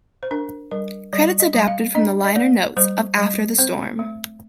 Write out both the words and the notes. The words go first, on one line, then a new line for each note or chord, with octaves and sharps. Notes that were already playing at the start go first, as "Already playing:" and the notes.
Credits adapted from the liner notes of "After the Storm".
C5
D4 A#4
G3 A#4
G3 D5
D#5
G3
F5
D4 D#5
D#5
A#3 D5
G3 C5
G3
C4 C5
A3